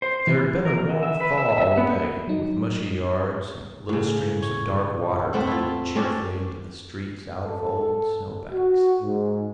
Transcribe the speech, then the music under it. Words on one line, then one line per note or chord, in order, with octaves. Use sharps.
There had been a warm thaw all day, with mushy yards and little streams of dark water gurgling cheerfully into the streets out of old snow-banks.
C5
E3
A#4
D3
E5
B4
E5
E5
B3
F#3 D#4
A2 C#3
C#5
A3 C4 F#5
E4 F4
A3 C4 C#4 D5
A4
F#4
G#2